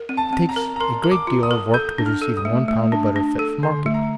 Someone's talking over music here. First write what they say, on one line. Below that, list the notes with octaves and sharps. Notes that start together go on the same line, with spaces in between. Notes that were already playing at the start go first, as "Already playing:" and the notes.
It takes a great deal of work to produce even one pound of butter fit for market.
Already playing: A#4
C4
A5
C4
A#5
A#4
A#5
A#4 C6
A#4
D6
F4
D#6
A#4
A4 G6
D4
F6
A4
D#6
A3
A3
D4
D4
A4
D3 C6
A3
A#5